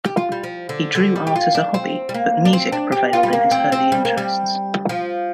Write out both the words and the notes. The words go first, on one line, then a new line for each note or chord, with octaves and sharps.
He drew art as a hobby, but music prevailed in his early interests.
G4
F4
G3
F3
D3
D3
G3
G4
F4
D4
C4
G3
A#3
D4
C4
D4
G4
F4
G3
A#3
C4
C4
G3
A#3
G3
F3